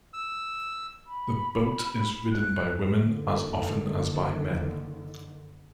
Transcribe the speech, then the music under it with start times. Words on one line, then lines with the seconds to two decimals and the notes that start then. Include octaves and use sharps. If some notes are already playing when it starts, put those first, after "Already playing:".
The boat is ridden by women as often as by men.
0.14 E6
1.07 B5
2.31 F#6
2.96 F#1 D3 D#3